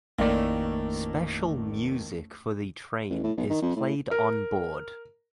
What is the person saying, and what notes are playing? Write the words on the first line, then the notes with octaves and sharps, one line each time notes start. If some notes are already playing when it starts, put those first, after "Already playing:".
Special music for the train is played on board.
A1 F2 D#3 A3 A#3 D5
A1
A2
B1
D#3
F2
A2
A#4